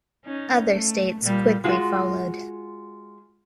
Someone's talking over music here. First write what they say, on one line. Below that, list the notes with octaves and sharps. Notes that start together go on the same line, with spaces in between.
Other states quickly followed.
C#4 D#4
A3
A#2 G3
G#3 F4 F#4